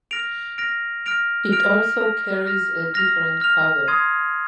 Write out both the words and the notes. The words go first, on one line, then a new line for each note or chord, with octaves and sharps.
It also carries a different cover.
F6 A#6 D7 F7
F6 A#6 D7 F7
F6 A#6 D7 F7
F6 A#6 D7 F7
F6 A#6 F7
F6 A#6 F7
F6 A#6 F7
F6 A#6 F7
C6 D#6 G#6 C7 D#7